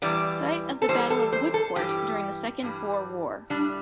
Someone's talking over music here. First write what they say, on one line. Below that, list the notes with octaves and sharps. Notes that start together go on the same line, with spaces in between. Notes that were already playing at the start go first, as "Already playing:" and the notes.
Site of the Battle of Witpoort during the Second Boer War.
E2 C3 E3 G3 D5
A4
E2 C3 E3 G3 C5
A4
C5
A4
G2 E3 G3 G4
G2 E3 G3
A2 G3 D4